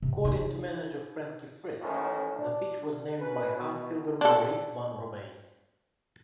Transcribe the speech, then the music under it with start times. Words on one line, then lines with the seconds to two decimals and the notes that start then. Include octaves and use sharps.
According to manager Frankie Frisch, the pitch was named by outfielder Maurice Van Robays.
0.02 C3
0.25 D#4
1.81 A1 F2 A2 D#3 A#3 C#4
2.36 D4
3.19 B2 C#4 A#4 B4
3.55 B2
4.21 D4 A4